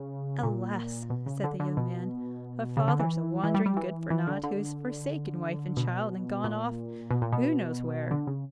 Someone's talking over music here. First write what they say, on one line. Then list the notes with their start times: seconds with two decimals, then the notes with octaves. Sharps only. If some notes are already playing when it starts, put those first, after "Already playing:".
'Alas!' said the young man, 'her father is a wandering good-for-naught, who has forsaken wife and child, and gone off--who knows where?
Already playing: C#3
0.43 A#2
1.10 B2
1.26 C#3
1.44 D3
1.60 D3
1.77 B2
2.77 C#3
2.88 D3
3.00 E3
3.44 E3
3.54 G3
3.66 G3
3.77 E3
4.10 E3
4.27 D3
4.44 D3
5.77 B2
6.44 A#2
7.11 B2
7.22 A#2
7.33 B2
8.11 D3
8.27 C#3